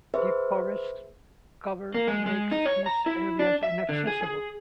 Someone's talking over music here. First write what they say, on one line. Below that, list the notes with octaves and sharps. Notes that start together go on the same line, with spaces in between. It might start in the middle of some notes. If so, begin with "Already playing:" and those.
Deep forest cover makes these areas inaccessible.
G#4 B4 C5 E5
A#3
G#3
G#3
D#4
C#5
A#5
E4
D4
E5
D3
G#4
G#4